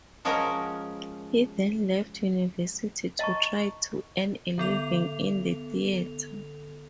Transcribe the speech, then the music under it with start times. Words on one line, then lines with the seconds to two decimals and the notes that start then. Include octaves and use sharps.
He then left university to try to earn a living in the theatre.
0.25 F3 G#3 C#4 F#4 A#4
3.19 D#5 A5 A#5 C#6
4.58 D3 B3 A4 F7